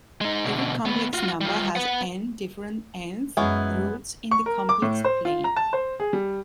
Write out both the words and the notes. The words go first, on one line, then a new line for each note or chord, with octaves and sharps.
Every complex number has "n" different "n"th roots in the complex plane.
G#3 D#4
B2 D3
D#2 B3
F4 F#4
G3 F4
B3 F#5
F#2 F#3 G#3 B3 C#4 E4
C#6
A#4
D6
A2
C5
F4
A#5
A5
C5
G#4
G3